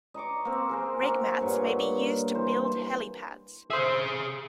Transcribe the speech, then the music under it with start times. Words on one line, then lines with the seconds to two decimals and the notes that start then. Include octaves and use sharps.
Rig mats may be used to build helipads.
0.14 D#5 A#5 C#6 D6
0.45 A#3 C4
0.69 G#4 A#4 C5
1.02 F#4 A#4 E5
1.40 G2 A#2 C#5 F#5
2.34 E3 C5
3.70 G#4 C5 E5 F5